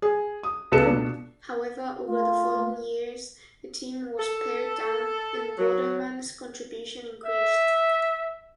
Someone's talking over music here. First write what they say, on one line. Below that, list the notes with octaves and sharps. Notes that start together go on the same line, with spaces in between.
However, over the following years, the team was pared down, and Vorderman's contribution increased.
G#4
D#6
C#2 G#3 B3 A4 C#7 E7
B2 D4
A3 F4
A4
F#3
E5